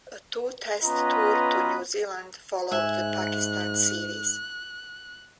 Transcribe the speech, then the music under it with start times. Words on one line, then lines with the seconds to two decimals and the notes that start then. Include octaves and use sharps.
A two test tour to New Zealand followed the Pakistan series.
0.83 B3 C#4 F4 B4 D#5 A#5
2.72 G#2 E5 G#5 F#6